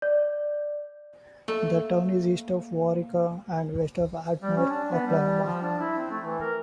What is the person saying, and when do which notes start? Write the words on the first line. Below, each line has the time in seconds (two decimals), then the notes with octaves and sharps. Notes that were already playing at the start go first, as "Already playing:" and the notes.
The town is east of Waurika and west of Ardmore, Oklahoma.
0.02 D5
1.48 A3 A#3
4.42 G3
4.56 C#4
4.70 D4
4.92 B3
5.06 G3
5.43 F3
5.62 D4
5.80 E4
5.98 C4
6.10 A3
6.24 E3
6.40 A#4